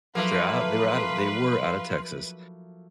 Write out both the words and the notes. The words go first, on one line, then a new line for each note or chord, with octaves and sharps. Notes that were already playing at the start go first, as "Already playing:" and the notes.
they're out they were out of they were out of Texas,
F3 F#3 A3 A#3 D#4 B4 F5 C6